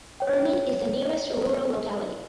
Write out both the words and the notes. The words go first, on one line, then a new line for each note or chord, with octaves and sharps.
Urman is the nearest rural locality.
C#5 G5